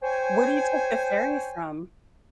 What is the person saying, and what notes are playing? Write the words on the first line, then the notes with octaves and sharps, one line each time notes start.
Where do you take the ferry from?
C5 C#5 G5 G#5